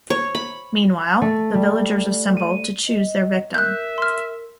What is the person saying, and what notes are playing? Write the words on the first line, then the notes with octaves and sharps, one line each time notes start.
Meanwhile the villagers assemble to choose their victim.
C#5
B5
A3
G3
D#7
D#5
A#4 E5 F#6 G6
C6 F6